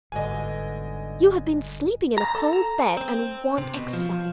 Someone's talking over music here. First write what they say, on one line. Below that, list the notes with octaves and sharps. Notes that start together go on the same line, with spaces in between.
You have been sleeping in a cold bed and want exercise.
G1 G#2 B2 D3 D#5 G#5
A#5
A4
A#5
C4
C3
B2
F3